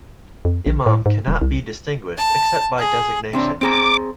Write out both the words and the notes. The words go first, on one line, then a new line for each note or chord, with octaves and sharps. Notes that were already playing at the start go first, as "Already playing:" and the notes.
Imam can not be distinguished except by designation.
F2
A#1
A2
G#2
D#1
C2
A5
G#4
C3 C4 D4
C4 G#4 A#5 D6